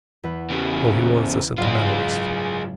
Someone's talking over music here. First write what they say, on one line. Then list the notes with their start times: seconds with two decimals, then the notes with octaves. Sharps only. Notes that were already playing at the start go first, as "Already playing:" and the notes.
Well, he was a sentimentalist.
0.23 E2 B4
0.50 C#3 B3
1.58 F#1 G#2 G#3 F4 D5